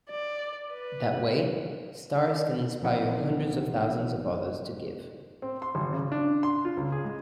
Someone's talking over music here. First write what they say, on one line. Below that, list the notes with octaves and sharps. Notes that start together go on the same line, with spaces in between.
That way stars can inspire hundreds of thousands of others to give.
D5
B4
A#1 E3 B3 C4 D#4 F#5
C4
C6
G#1
C#3
D4
C6
F4
C#2
G#4
G#3